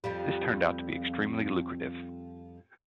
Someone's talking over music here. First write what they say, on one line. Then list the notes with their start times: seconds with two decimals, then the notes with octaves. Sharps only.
This turned out to be extremely lucrative.
0.04 F2 F3 G3